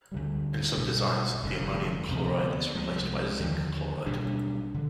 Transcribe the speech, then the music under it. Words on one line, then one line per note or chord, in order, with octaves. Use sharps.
In some designs, the ammonium chloride is replaced by zinc chloride.
D2 D3 G3
B1 B2 G3
F1 F2 D3
D2 C3 F3 B3
C2 C3 F3 G#3
D#2 D3 F3
B1 B2 G3 D4
D3